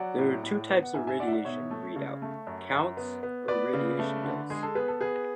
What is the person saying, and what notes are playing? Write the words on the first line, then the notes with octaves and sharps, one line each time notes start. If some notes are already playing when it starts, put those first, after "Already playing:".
There are two types of radiation readout: counts or radiation dose.
Already playing: F#3 D5 F#5
A2
A2
B3
F#5
G#2 E5 G#5
E5 G#5
G#2 D5 F#5
E5
D5 F#5
B2 C#5 E5
A3
C#3
A3
F#2
F#2
B3
B3
B3 B4 D5
C#3
A3
D3
G#3 G#4
A4
B3 G#4 B4
A4
B3 G#4 B4